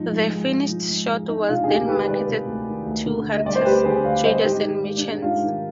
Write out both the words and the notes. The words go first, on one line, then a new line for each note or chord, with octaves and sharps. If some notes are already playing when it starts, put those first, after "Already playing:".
The finished shot was then marketed to hunters, traders and merchants.
Already playing: G#2 F3 D#4
G#2
G#3
G#2
F3
G#2
G#3
G#3 D#4
C3 D4 F4
G#4
D2 D#4 G4
D#3 G4 B4
G#3 B4 D5
C3
D2
D#3
D2
D3
D2
D#5
G3 D5
C5
D2 G4 B4
D3 G#4 C5
D2 D5 F5
G3 C5 D#5
G#2 D#4 G4
D#3
G#2
D4
G#3
D#4
G#2 D4 F4
D#3